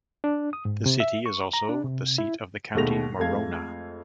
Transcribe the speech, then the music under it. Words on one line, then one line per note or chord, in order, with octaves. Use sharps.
The city is also the seat of the county Morona.
D4
D#6
G#2
C3
E5
C#6
A#5
D4
C3
E4
D#2 B2 G#3 A3 A#6 F7
F2 G#3 A3 F5 G#6